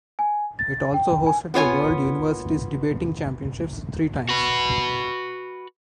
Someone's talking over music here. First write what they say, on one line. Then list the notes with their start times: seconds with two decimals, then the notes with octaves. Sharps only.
It also hosted the World Universities Debating Championships three times.
0.19 G#5
0.59 A6
0.94 G5
1.26 G#5
1.54 B3 F4 C#5 G#5
4.29 F#4 B4